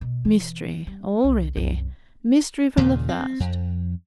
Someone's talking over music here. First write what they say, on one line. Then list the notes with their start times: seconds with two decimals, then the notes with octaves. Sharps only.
'Mystery already--mystery from the first.
0.01 B2
0.25 E3
0.87 G3
1.24 C2
1.56 C2 F#2
2.77 D#2 A#2 C#3
3.09 C4
3.40 F2